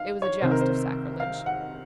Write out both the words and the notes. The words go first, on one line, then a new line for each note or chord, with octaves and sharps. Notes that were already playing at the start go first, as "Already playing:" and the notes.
It was a joust of sacrilege.
Already playing: F5
C#5
C2 C3 D#3 C5
A#4
C5
F5
F#5